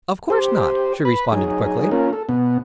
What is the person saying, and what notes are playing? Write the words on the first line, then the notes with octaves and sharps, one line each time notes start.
"Of course not," she responded, quickly.
G4 C5
B4 B5
F#3 D#4 G#4
A#3 C#4 F4 A#4
A4
B2 B3